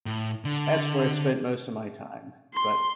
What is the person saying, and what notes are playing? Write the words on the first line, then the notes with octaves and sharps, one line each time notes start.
that's where I spent most of my time, but
A2
D3
C6